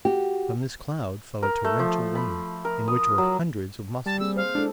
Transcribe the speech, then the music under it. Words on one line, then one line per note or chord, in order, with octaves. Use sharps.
From this cloud, fell a torrential rain, in which were hundreds of mussels.
F#4 G4
A#4
A3
F3
B5
A#4
D#6
F#3
G3 A5
A#3 C4 G#4 E6
C5 F5
G#3 D4 E4 A4